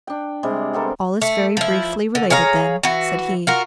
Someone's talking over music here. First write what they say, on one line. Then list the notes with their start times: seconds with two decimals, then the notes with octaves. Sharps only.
"All is very briefly related, then," said he.
0.07 D4 G5
0.43 C3 G3 G#3
0.73 B3 C4 A4 A#4
1.22 A3
1.57 F3 E4
2.15 D3
2.30 G#4 C#5 F5 A#5
2.83 E3 F#4
3.47 F4 F#4 A#4